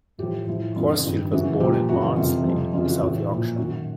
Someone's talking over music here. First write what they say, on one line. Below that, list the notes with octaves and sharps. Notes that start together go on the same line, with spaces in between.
Horsfield was born in Barnsley, South Yorkshire.
A2 F3 G4
A2 F3 E4
F2 C#3 F3 F4
G2 D#3
F#2 C#3 E3 F#4
A#2 F3 G4
F#2 C#3 E3 F#4
F2 C3 E3 F4
F2 C3 F3
F2 C#3 E3 F4
F#4
A2 E3 F#4
A#2 F3
F#2 D#3 F#4